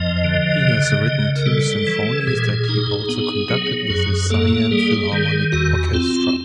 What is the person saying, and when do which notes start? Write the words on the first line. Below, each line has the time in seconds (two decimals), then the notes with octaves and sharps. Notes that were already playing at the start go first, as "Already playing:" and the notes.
He has written two symphonies that he also conducted with the Siam Philharmonic Orchestra.
Already playing: F2 F3 D#5
0.24 D3
0.65 C#3
1.06 C#3
1.35 A#4
1.46 G3 A4
1.87 E3
2.27 A#2 G#4
2.69 D#4
3.09 B3
3.49 F#3
3.90 F#2 G#4
4.30 A#3 A4
4.71 G3 G#4
5.12 D#3
5.52 E2 F#4
5.93 C4 F4